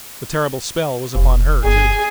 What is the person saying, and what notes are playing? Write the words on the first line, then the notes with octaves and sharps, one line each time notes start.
The terrible spell was upon her, too.
F1
G1 G#4